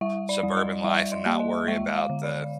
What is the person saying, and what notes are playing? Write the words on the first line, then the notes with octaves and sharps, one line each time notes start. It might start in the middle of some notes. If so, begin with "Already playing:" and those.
suburban life and not worry about the
G3 E5
D5
G3
D#5
G3 E5
D#5
A#3
D#5
G#3 E5
F5
D3
D5